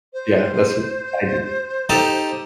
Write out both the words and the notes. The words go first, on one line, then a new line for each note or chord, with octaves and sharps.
Yeah, that's what I do.
C5
D#4 G4 A4